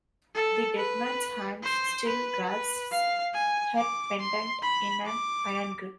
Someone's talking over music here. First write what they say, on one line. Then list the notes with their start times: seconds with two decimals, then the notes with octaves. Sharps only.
The dead man's hand still grasps her pendant in an iron grip!
0.35 A4
0.77 B4
1.63 C5
2.06 B4
2.49 B4
2.91 F5
3.34 G#5
3.77 D6
4.20 C6
4.63 B5
5.05 D6